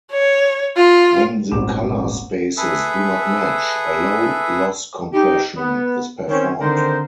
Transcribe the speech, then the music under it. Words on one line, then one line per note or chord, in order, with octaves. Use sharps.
When the color spaces do not match, a low loss compression is performed.
C#5
F4
D#1 G#1 D6 E7
G#4 A4 B4 E5
D#4 G4
B3
D#3 C4 C#4
D3 D#3 C4 D#4 A#4 C5